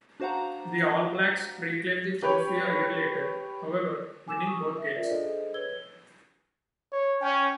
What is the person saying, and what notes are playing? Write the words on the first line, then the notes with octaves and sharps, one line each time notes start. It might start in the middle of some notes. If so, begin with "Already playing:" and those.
The All Blacks reclaimed the trophy a year later, however, winning both games.
D4 F#4 C5 F5 F#5 A#5
G4 B4 C#5 G5
G#5 D6 E6 E7
C#6 D#6
E5
F4 A#4 C5 D5 E5
D4 G#4 A4 C5 D#5
B4 C#5 E6 G#6 G7
C#5
C#4 G5